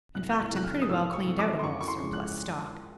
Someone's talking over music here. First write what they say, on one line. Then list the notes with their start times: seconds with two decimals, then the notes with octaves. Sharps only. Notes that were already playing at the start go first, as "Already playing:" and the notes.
In fact, I'm pretty well cleaned out of all surplus stock.
0.15 C2 F#6
0.30 G6
0.40 F#6
0.52 C3 F3 A3 C4 F#6
0.64 F6
0.82 D#6
0.89 C2 E6
1.13 C#6
1.26 C3 F3 A3 C4
1.39 D6
1.59 C6
1.63 F#2 C#6
1.81 C#6
1.88 C6
2.00 C#3 F3 G#3
2.13 F#6